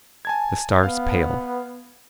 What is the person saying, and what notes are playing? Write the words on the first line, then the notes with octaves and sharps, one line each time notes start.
The stars pale.
G#5 A5 G#6
B3 F5